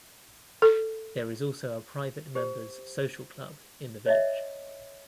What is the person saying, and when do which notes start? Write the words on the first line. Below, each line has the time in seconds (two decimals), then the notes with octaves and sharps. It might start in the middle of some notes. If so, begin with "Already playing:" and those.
There is also a private members social club in the village.
0.62 A4
2.35 G4 C5
4.06 C#5 D#5 E5